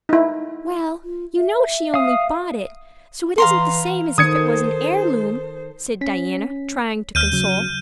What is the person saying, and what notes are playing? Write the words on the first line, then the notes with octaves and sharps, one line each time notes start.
"Well, you know she only bought it, so it isn't the same as if it was an heirloom," said Diana, trying to console.
D#4 E4
F4
E5
F5 D#6
E3 B4 F5 A#5 C6
D#3 A4 C5 D#6 G#6 C#7
C#4 B6
D#2 F6 G6 D#7
C#3 F#3